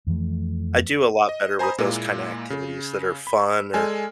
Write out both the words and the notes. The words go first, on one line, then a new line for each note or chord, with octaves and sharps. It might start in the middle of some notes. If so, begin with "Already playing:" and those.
I do a lot better with those kinda activities that are fun, or
F2 E3 F3 A3
D#5
C5 G#5 A#5 B5 D#6
A#2 G#3 A#3 E4
C#3
B5
G#3 A4 D5 G#5 F6